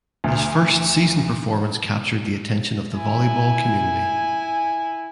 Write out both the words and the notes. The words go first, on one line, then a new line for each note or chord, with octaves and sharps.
His first season performance captured the attention of the volleyball community.
D2
E4 G#5